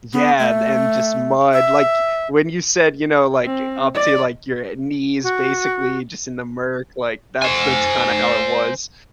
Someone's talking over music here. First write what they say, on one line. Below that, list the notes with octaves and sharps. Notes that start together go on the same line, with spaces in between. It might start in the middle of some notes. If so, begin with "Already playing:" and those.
Yeah, and and just mud, like, when you said, you know, like, up to, like, your, uh, knees, basically, just in the murk, like, that's that's kinda how it was.
B3
A3
E5
C4
D5
F#4
C5 G#5